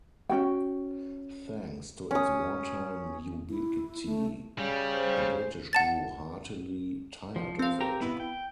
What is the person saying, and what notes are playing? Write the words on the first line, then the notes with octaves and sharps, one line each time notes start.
Thanks to its wartime ubiquity, the British grew heartily tired of it.
C#4 D#4 F#4 G5
C#4 D#6
E4
A3
C#3 G3
C5
F#5 A5 A6
F3
C4 F5
G4 A#4 A#5
B3 E4 B4
G5